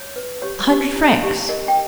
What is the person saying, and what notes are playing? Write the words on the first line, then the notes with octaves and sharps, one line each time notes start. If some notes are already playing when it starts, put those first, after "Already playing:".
"A hundred francs."
Already playing: C#5
B4
G4 C#5
G4
E4
G4
A#4 D#5
G5